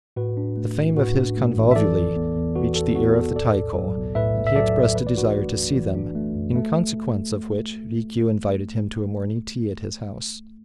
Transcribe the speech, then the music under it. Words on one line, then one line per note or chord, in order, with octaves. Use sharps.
The fame of his convulvuli reached the ear of the Taiko, and he expressed a desire to see them, in consequence of which Rikiu invited him to a morning tea at his house.
A2 F#4 B4
D4
A3
A1
A2 F#4 B4
D4
A3
A1
E5
E3 A4 D5
E2
B3
E2
E3 F#4 B4
E2 A4
B3 F#4
E2 A4
A2 A4 D5
B1
F#3
B1
A2 B4 E5
B1
E5
F#3 A4 D5
B1
E3 B4
D5
D4 F#4 B4
A3
F#2
E3
D4
A3
F#2
A3